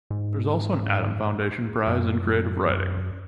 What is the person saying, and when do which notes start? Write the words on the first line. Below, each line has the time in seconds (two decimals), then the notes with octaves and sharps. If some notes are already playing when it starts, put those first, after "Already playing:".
There is also an Adam Foundation Prize in Creative Writing.
0.10 G#2
1.87 F#2